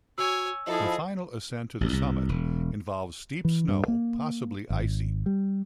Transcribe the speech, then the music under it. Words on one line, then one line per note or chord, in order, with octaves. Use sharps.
The final ascent to the summit involves steep snow, possibly icy.
F#4 C#5 G#5 E6
F3 E4 G#4 A4 D#5
A1
C2
E1
E3
G2
A#3
G#1
G3